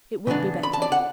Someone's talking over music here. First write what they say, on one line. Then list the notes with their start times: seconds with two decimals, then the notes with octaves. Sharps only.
It would be better.
0.27 C#3 E3 B3 D4
0.63 B5
0.73 A5
0.82 D5
0.92 F#5